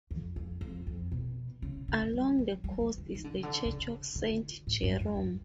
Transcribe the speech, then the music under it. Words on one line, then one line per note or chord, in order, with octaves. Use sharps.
Along the coast is the church of Saint Jerome.
F2
F2
F2
F2
B2
C#3
C#3
G3
F#3
G3
E3
D3
D#3
D3
C#3
D3
C#3
D3
A2
G2
F#2
F2